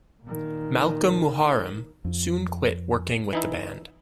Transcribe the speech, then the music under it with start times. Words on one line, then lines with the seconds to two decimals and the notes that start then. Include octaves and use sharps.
Malkolm Muharem soon quit working with the band.
0.23 A#2 D#3
2.05 F2
3.33 E3 D#4 E4